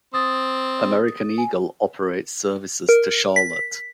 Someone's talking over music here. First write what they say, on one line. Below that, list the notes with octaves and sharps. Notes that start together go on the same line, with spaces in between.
American Eagle operates services to Charlotte.
C4 D#6 A6
G#5
A#4
B6